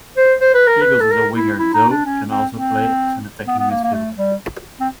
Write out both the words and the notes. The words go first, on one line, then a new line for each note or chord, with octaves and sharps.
Eagles is a winger, though can also play as an attacking midfielder.
C5
C5
B4
A#4
B4
A4
A#4
E4
E4
D#4
D4
C#4
C4
C4
B3
B3
A#3
A#3
A3
G3
C4